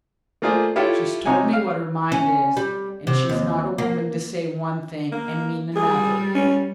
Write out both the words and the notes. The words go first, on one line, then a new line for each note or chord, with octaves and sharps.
She's told me what her mind is, and she's not a woman to say one thing and mean another.
A3 A#3 F4 G#4 C5 D5
E4 F4 G4 A4 C#5 E5
C3 D#4 C#5 G#5
F5
C#4
G3
C3
D#2
A#3
A#3
G3 G#4
C#4